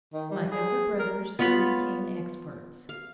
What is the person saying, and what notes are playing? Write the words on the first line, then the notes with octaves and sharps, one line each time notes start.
My elder brothers soon became experts.
D#3
G3
G#4
A#4
B3 F4 C#5 B5
F5